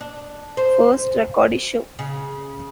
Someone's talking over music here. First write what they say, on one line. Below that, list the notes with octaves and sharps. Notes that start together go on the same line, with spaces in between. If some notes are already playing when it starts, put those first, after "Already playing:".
First record issue.
D4
C5
C#3